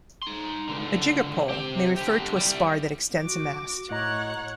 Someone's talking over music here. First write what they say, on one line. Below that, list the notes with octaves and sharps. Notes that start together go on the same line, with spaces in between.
A jiggerpole may refer to a spar that extends a mast.
D#4 C6
C#2 D3
C4 G4
D3 G4
G3 E4
F#4 D6
A2 C#5 D#5 F#5 A#5